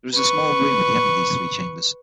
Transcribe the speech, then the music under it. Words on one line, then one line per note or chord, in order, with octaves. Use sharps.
There is a small room at the end of these three chambers.
B4 C#6